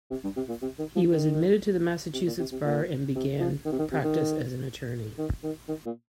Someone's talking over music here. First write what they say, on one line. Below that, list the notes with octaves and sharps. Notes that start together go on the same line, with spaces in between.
He was admitted to the Massachusetts Bar and began practice as an attorney.
C3
G2
C3
A#2
C3
D#3
F3
D#3
C3
A#2
C3
C3
A#2
C3
F3
D#3
C3
D#3
C3
D#3
D#3
D#3
D#3
A#2